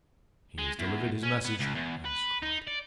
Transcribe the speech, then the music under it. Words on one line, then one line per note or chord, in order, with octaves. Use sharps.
"He has delivered his message," Ernest cried.
G#3
E2
C#4
B3
C#2
E2
B4
D#4
D5